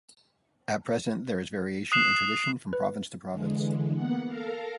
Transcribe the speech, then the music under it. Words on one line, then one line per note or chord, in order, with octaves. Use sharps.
At present there is variation in tradition from province to province.
D#6 F#6 C7 E7 F#7
B4
D3 E3 G#3
A#3 B3 F#5
A4 A#4 F5 A#5